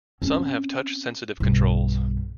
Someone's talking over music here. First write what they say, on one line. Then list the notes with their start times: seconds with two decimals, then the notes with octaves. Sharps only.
Some have touch-sensitive controls.
0.22 C4 C#4
1.40 B1 G2